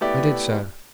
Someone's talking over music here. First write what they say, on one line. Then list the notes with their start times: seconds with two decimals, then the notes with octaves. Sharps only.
I did so.
0.01 A3 B3 E4 G4 D5